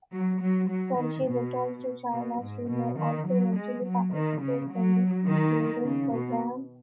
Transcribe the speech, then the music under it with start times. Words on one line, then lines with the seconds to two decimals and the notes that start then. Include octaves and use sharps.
When she returns to China, she may also eventually participate in the breeding program.
0.13 F#3
0.41 F#3
0.69 F#3
0.98 D#3
1.27 B2
2.12 B2
2.41 G#2
2.69 B2
2.98 D#3
3.27 F#3
3.56 G#3
3.84 F#3
4.13 D#3
4.40 C#3
4.70 F#3
5.27 D#3
5.84 C#3
6.12 B2